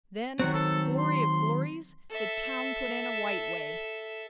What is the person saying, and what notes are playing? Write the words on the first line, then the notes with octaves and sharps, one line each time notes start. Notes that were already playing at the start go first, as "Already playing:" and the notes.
Then, glory of glories, the town put in a White Way.
D#3 F#3 C4 F#4
A4
C6
A4 E5